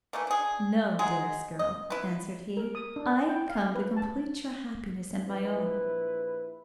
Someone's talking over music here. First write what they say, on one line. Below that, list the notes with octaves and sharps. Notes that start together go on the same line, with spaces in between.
'No, dearest girl,' answered he; 'I am come to complete your happiness and my own.
E3 A3 A#3
D4 G#4
F#3 G#3 G#4
D#5
E4 B4
A#4
D#6
D4
G5
F5
B4
A5
A#1 E4 B4